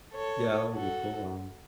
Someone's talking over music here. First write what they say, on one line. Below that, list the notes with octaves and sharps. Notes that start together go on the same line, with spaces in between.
Yeah, that would be cool, um,
A4 C#5
F#4 A4